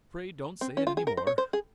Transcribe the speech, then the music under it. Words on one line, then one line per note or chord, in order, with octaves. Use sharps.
"Pray don't say it any more."
C4
C#4
F4
G#4
A#4
C5
C#5
C5
G#4